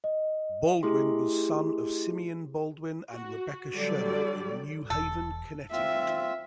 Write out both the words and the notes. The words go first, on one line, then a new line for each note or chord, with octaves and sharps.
Baldwin was son of Simeon Baldwin and Rebecca Sherman in New Haven, Connecticut.
D#5
A3 E4 G4 G#4 C6
F#4
D3 F#3 G3 D5
E1 A4
C4 F4 E5